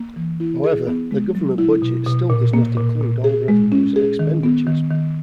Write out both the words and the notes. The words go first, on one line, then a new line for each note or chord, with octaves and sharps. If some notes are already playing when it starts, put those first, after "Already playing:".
However, the government budget still does not include all revenues and expenditures.
Already playing: A#3
E3
E4
G#4
B3
G#3
F#3
E4
B2
B2
A#2
A#3
A#2
A#2
G#4
G#3
C#4
G#4
D#3
B3
D#3
D#3